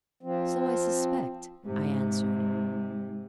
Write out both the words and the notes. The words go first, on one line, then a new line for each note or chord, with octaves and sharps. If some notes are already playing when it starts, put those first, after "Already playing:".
'So I suspect,' I answered.
F3 C4
G#2 C3